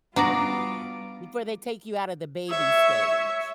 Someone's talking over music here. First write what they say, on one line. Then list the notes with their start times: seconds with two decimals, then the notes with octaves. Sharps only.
Before they take you out of the baby stage
0.16 G3 B3 D4 F4 F#4 D5 A#5 D6
2.50 C#5 E5